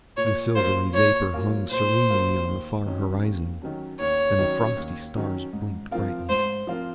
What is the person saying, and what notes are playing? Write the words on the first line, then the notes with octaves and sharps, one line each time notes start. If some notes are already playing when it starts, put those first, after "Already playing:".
The silvery vapour hung serenely on the far horizon, and the frosty stars blinked brightly.
A#2 C#5
F#3 A#3 F4 A#4 C5
A#2 C#5
F#3 A#3 F4 A#4
A#2 C5
F#3 A#3 F4 A#4
D#2
D#3 F#3 C#4
D#2
D#3 F#3 C#4
D#2 C#5
D#3 F#3 C#4
D#2
D#3 F#3 C#4
G#2
F3 C4 F4 A#4
G#2 C5
F3 C4 F4 A#4